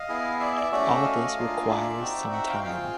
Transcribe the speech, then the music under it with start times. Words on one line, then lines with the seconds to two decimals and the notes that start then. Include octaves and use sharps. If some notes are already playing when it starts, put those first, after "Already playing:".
All this requires some time.
Already playing: D#5 F5
0.09 B3 E4 G#4
0.40 D5 E5
0.56 D5 E5
0.72 A3 C#4 F#4 D5 E5
1.04 D#5 F5
1.36 A#3 D4 F4 G#4
1.68 D5 E5
2.01 C4 D#4 F#4
2.32 E5 F#5
2.49 F5 G5
2.64 C4 F4 G#4 F5 G5